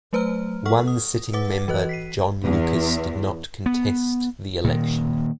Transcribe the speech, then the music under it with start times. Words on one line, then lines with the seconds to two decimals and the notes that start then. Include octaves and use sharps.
One sitting member John Lucas did not contest the election.
0.13 F#3 A3 B4 C5 A#5 F6
0.66 A4 F#5 C#6 F6
0.88 D#6
1.33 B4 F#5 D6 A6
1.68 E3 F#4 B4 D#5 F#6
1.89 B6 C7 D#7
2.43 E2
3.66 B3
4.64 A#2 D#3